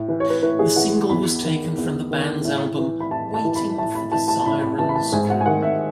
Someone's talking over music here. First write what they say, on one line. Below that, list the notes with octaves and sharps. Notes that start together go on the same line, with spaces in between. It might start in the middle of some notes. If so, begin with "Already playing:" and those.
The single was taken from the band's album, "Waiting for the Sirens' Call".
Already playing: A2
E3 B4
C#5
B4
A2 B4
G#4
E3 F#5
E2 B5
D#3
E2
D#3
A2
E3
B5
A2 A5
A5
E3
B5
A2 A5
B5
E3 A5
A5
A5
A2 B5
B5
E3 A5
B5
A5
G#2 G#5
F#5
G#5
D#3 F#5
E5